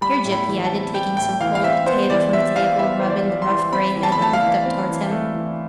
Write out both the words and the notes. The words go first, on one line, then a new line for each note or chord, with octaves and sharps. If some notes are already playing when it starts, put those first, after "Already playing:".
"Here, Gyp," he added, taking some cold potato from the table and rubbing the rough grey head that looked up towards him.
G3 B5
A2
B5
E3
A5
C4
G3 G5
A2 G5
E3 F5
F5
C4 E5
B3 C5
E3 D5
G3 E5
E3 F5
B3 E5
E3 C5
D5
G3
C6
E3
C4 B5
E3
A5
B5
A3 A5
F5
E3
C4
E3
A3
E3